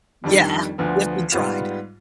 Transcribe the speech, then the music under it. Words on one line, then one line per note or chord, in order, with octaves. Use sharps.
Yeah, if you tried.
F2 D#3 G3 D4
D2 D3 F3 B3
G#2 G3 B3 F4